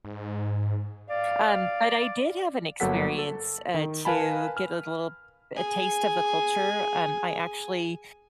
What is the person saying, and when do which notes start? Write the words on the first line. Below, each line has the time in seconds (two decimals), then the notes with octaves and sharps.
Um, but I did have an experience, uh, to get a little a taste of the culture. Um, I actually
0.05 G#2
1.10 D5 F5
2.80 G1 F#3 A#3 A4 F#5 B6
3.19 A4
3.74 D#3
4.05 A#4 B4 F5 G#5 A5 B5
4.57 F6
5.56 G#4 G#5